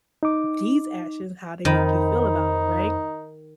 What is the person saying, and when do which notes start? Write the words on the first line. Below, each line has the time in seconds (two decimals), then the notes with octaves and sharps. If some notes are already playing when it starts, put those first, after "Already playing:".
these actions, how they make you feel about it," right?
0.23 D#4 D6
1.65 F2 D#3 D#4 C5 B5